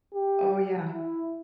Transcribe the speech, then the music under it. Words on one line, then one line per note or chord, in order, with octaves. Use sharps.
Oh yeah.
G4
E4